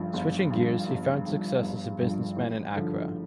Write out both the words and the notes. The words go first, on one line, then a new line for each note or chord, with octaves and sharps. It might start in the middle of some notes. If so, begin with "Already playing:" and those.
Switching gears, he found success as a businessman in Accra.
Already playing: G1 G2 F3
G1
G2 F3
G1
G2 F3
G1
G2 F3
A1
G2 D3 F3